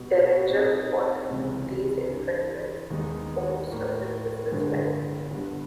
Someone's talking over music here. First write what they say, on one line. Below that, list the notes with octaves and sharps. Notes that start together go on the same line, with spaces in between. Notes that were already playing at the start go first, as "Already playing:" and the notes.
Deringer fought these infringements for most of his business life.
Already playing: B2 G3 B3
A#2 G3 C4 D#4
C#2 C3 E3 G#3 C4
G2 E3 G3
D#2 D#3 G#3 B3 D#4
A2 F3 A#3
G1 G2 D3 F3 G#3
G2 D3 G3 B3